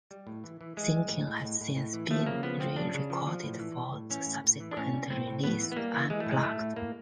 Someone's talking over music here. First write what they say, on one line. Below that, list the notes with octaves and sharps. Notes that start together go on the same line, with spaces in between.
"Sinking" has since been re-recorded for the subsequent release "Unplugged".
G3
A2
E3
E3
E3 G#3
G3
A2
A2
A2
A2
A2
E3
F3 A3
C#3 A#3
F3 B3
F3 C4
C#3 D4
C#3
F3
F3
A2
E3
G3
A2
E3 C#4
A2
A2
E3
D4
A2 C#4
G3
A2 C4
A2
A2 B3
E3
B3
G3 A#3
E3
E3 G#3
A3
A2 G#3
A2 A3
A2
A2 A#3